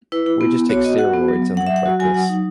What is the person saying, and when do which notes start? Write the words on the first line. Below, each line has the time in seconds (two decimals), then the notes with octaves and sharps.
We just take steroids and look like this.
0.12 E4 B4
0.26 E4
0.41 B3
0.55 B3
0.69 F#4 C#5
0.84 F#4 D#5
0.98 F#4 F#5
1.13 B3
1.28 F#3
1.42 F#3
1.57 F#3 F#5
1.67 E5
1.71 F#3 F#5
1.86 F#4
2.00 F#3 G#5
2.14 F#3 F#5
2.29 D#4